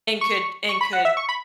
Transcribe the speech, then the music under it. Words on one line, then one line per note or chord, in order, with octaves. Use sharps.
could and could
C#6
C#6
B5
F#5
E5
C#6
B5